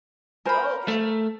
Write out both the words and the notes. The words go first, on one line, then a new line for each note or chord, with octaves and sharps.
Oh, okay.
A#4 C5 G#5 B5
A3